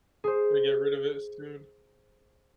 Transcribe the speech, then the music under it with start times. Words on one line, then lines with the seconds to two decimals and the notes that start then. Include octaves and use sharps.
Gonna get rid of it soon.
0.24 G#4 C5